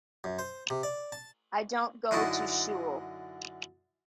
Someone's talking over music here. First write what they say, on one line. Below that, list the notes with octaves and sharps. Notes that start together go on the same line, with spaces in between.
I don't go to shul.
F#2
C5
C3
D5
A5
F#2 D3 D#4 E4 A5